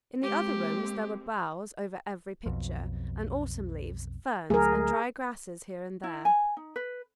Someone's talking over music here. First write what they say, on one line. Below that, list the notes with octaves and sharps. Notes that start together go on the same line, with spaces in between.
In the other rooms there were boughs over every picture, and autumn leaves, ferns, and dried grasses here and there.
G#3 A#3 C4 G4
B1 F2
D2 F#3 A3 G#4 A#4
E4
G#5
D#4
B4